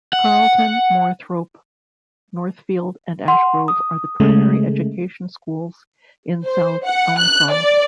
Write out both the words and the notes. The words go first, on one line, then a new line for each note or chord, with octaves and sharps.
Carlton, Moorthorpe, Northfield and Ash Grove are the primary education schools in South Elmsall.
F#5
F#5 C6
D#6
C#3 G#3 A3
C5
F#5
F#6
D5